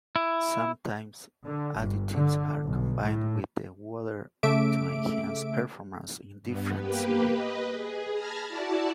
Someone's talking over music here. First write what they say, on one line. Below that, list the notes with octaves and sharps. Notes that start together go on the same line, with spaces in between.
Sometimes additives are combined with the water to enhance performance in different ways.
E4
D3
G1
D3
B1
A2
C#3 A3 E5 D6 D7
G2 B3
A#3 G4 B4
B4 D#5
G#4
A5 B5 F6 G#6 A#6
E4 F#4 D5 A5